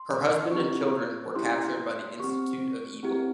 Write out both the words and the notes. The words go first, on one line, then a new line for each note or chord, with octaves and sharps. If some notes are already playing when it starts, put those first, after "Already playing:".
Her husband and children were captured by the Institute of Evil.
Already playing: C6
C4 E4 G4 C#6
C#4 E4 G4 C6
C4 G4 C#6
C4 E4 G4